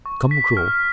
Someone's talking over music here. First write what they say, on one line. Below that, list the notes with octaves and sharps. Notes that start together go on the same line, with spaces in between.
Come, cruel!
C#6
B6
F6